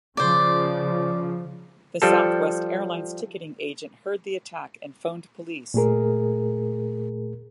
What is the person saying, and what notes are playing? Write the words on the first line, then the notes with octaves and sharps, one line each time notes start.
The Southwest Airlines ticketing agent heard the attack and phoned police.
C#3 F3 C5 D5
F3 G3 A4
A#2 A3 G#4 A#4